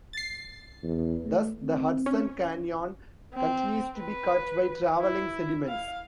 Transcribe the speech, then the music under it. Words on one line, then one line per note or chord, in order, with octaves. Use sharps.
Thus the Hudson Canyon continues to be cut by traveling sediments.
A6 C7
E2
A3
C4
C#4
C4
B4
E4
F5